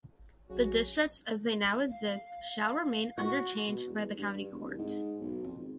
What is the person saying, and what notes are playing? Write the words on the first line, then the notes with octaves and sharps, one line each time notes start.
The districts as they now exist shall remain until changed by the county court.
G#1
A#1 C#3 F#3 F#4
F5
F#4
B2
E2
G2
G2
E1
C2
G#2
B1
F2
G#1